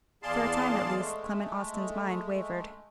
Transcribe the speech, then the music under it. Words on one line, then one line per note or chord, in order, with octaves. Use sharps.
For a time, at least, Clement Austin's mind wavered.
E2 G#4 D5 F5 A5 C6
G#3 A3